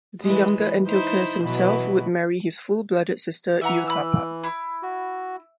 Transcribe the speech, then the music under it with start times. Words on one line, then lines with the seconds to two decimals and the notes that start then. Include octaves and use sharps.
The younger Antiochus himself would marry his full-blooded sister Iotapa.
0.22 E3 G#3
0.86 D#4 E4 C5
1.42 B2 E3 F#3
3.61 E3 E5 F#5 A#5
3.87 B5 E6
4.44 E4
4.83 F#4